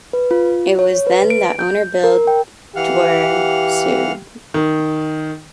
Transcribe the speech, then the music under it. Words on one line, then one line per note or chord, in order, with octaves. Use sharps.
It was then that owner Bill Dwyer sued.
B4
F4
C#5
B4
D7
G6
A#4
G5
E3 G4 F5 F#5
D#3